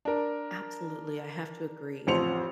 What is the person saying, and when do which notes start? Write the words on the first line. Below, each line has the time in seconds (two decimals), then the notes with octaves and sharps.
Absolutely, I have to agree, and
0.05 D4 A#4
2.07 A1 F2 F3 C5 C#7 F7